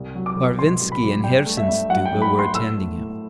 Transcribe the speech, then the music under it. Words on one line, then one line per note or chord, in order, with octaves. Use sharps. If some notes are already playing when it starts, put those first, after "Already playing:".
Varvinsky and Herzenstube were attending him.
Already playing: C2
F#3
D6
C2
B2 C6
C2
B5
F#3
G2 G5
A3
E5
G2
F#3 F#5
G5
G2
B5
A3
C6
A2 E6
A3
A2